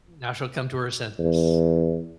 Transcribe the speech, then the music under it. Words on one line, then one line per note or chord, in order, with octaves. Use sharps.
Now she'll come to her senses,
E2